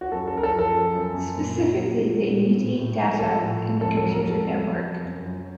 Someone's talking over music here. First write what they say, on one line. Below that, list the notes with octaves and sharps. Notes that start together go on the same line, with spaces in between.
Specifically, they mediate data in a computer network.
F#4
F#2 A4
A4
F#2 A#4
A4
F3
A4
F3
F#2
F#2
A#2
A#2
F#3
F#3
A#2
A#2
A2
A2
F3
F3 A4
A2
A2
F2 A4
A4
F#3
A#4
F2 A4
C3
F2
F#3
F#2
F#3